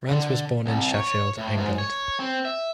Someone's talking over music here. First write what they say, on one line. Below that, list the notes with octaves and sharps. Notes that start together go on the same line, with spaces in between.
Rands was born in Sheffield, England.
D3
C2
C#5
A2
G#2
C#5
C4
E5